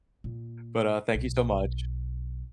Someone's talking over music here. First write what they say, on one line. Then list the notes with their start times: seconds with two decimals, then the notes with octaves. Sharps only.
But, uh, thank you so much
0.24 A#2
1.15 B1